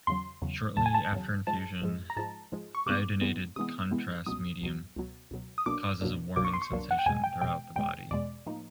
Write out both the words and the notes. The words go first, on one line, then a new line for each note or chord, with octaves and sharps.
Shortly after infusion, iodinated contrast medium causes a warming sensation throughout the body.
E2 C#3 F#3 C6
E2 C#3 F#3
E2 C#3 F#3 A5
G#5
A5
E2 C#3 F#3
G#2 F3 G#3 A5
G#2 F3 G#3
A#5
G#2 F3 G#3 A5
G#2 F3 G#3
C#6
C3 E3 G#3 B3 D6
C3 E3 G#3 B3
C3 E3 G#3 B3 D#6
C3 E3 G#3 B3
C#2 B2 F#3 D#6
C#2 B2 F#3
C#2 B2 F#3
C#2 B2 F#3
D#6
C2 B2 F#3 A#3 D4 D6
C2 B2 F#3 A#3 D4
C2 B2 F#3 A#3 D4 D6
C#6
C6
C#6
C2 B2 F#3 A#3 D4
F#5
G5
E2 B2 G#3 G#5
G5
E2 B2 G#3 G5
E2 B2 G#3 G5
E2 B2 G#3 D5
A2 F3 A#3 D#4